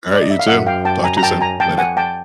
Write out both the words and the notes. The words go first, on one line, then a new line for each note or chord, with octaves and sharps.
All right, you too. Talk to you soon. Later.
D5
D#5
E5
F5
F#2 E5 F#5
F5 G5
G5 A5
G#5 A#5
A#5
G5 A5
G#5 A#5
F2 G5 A5
F#5 G#5
G5 A5